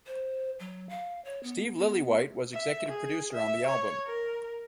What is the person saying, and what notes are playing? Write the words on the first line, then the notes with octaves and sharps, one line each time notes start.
Steve Lillywhite was executive producer on the album.
C5
F#3
F5
C#5
B3
B3
E5
G#4
E5
C#5
A#4